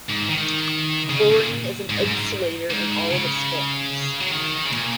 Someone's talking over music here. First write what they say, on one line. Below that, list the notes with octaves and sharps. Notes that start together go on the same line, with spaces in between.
Chlorine is an insulator in all of its forms.
G#2
D#3
C#3
A#2
G#2
F#2
G#2
G#2
C#3
F#3
D#3
C#3
A#2